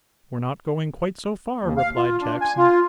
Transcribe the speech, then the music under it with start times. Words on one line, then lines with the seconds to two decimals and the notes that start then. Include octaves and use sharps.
'We're not going quite so far,' replied Jackson.
1.63 D#2
1.78 F5
1.97 F4
2.21 D4
2.41 G#5
2.58 F4